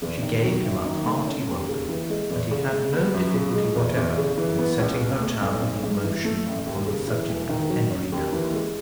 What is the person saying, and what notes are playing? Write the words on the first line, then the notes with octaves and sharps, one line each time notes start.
She gave him a hearty welcome, and he had no difficulty whatever in setting her tongue in motion upon the subject of Henry Dunbar.
E2
D#3
F#3
F#1
D#3
A3
C#4
D#2
C#3
E3
G#3
E2
C#3
G#3
B3
F#2
C#3
G#3
E2
E2
C#3
E3
B3
C#2
B2
A3
B1
B1
G#2
E3
A3
A1
D#2
C#3
E3
E1
D#3
F#3
C#4
D#2
E3
G#3